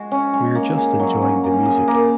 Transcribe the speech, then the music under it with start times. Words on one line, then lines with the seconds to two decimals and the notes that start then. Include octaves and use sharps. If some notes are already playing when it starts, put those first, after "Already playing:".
We're just enjoying the music.
Already playing: G#3 F#4
0.12 C#4
0.33 G#3
0.55 A#3
0.77 G#4
1.00 F#3
1.22 C#4
1.44 A#3
1.66 G#4
1.88 A#3